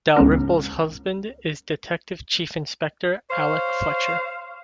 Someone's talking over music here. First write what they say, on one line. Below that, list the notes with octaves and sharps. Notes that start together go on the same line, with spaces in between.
Dalrymple's husband is Detective Chief Inspector Alec Fletcher.
C#2 G#2 B3 C#4 A#4
C5 C#5 F5